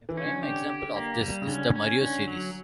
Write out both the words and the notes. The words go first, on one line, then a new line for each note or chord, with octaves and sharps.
A prime example of this is the "Mario" series.
E3
C#4
D3
D3 G4
G4
A#3
G3
C#3
D3 C#4
C#4
D3 C#4
F#3